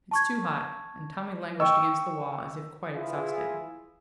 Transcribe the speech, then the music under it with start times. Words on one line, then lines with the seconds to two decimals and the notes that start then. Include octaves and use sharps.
"It's too hot," and Tommy languished against the wall as if quite exhausted.
0.11 A5 C#6 G#6
1.60 D#5 G5 C#6 E6
2.95 E4 F4 G#4 B4